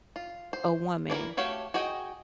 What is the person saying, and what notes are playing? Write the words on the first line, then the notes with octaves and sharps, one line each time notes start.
a woman
F4
C5
E3 D4 E4 A#4
A3 F#4 G4 C#5 F5
F#4 G#4 D#5 G5